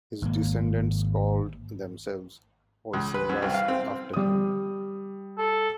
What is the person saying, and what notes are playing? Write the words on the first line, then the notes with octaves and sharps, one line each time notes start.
His descendants called themselves "Oiscingas" after him.
G#1 A#3
C#2
B4
F#2
C2
F5
C4
G3 D#6
A4